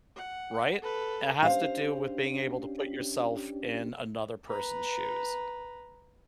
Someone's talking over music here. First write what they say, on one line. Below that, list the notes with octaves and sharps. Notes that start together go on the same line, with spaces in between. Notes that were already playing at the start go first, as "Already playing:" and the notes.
Right? It has to do with being able to put yourself in another person's shoes.
F#5
A4 B4
C#4 D4 G4 C5 F5
B4 A#5